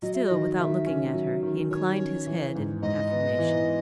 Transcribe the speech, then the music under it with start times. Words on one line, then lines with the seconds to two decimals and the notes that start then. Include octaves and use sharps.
Still without looking at her, he inclined his head in affirmation.
0.02 F#3 D#5
0.14 E5
0.24 D#5
0.30 D#3
0.59 D#3 E5
0.87 C#4
1.14 F#3
1.43 D#3
1.70 D#3 C#5
1.99 C#4
2.26 E3
2.55 G#2
2.82 G#2 D#5
3.11 B3
3.38 E3